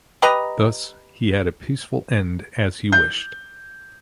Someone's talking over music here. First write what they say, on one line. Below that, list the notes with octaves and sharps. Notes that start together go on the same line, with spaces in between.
Thus, he had a peaceful end as he wished.
G4 B4 D#5 A#5
G6